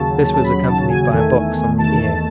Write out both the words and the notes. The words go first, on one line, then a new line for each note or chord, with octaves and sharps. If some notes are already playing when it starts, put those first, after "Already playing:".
This was accompanied by a box on the ear.
Already playing: D#2 C#3 F#3 A5
A5
B5
A5
G#5
E2 D#3 A3 G#5
A5